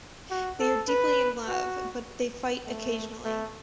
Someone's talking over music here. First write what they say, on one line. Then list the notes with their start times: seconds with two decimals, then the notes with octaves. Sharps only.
They are deeply in love, but they fight occasionally.
0.30 F#4
0.60 A4
0.88 B4
1.48 F#4
2.66 A3
3.25 A3